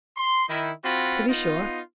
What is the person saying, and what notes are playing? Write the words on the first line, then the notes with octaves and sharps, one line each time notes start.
'To be sure.
C6
D#3 D#4 E4
C4 F4 F#4 B5
B3 D#4 F4